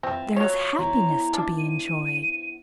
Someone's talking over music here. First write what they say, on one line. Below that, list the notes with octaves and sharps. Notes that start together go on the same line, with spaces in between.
There is happiness to be enjoyed!
C4 F4 B4 E5
F#3 C#5
B3 E4 C5 A#5
D4
D#7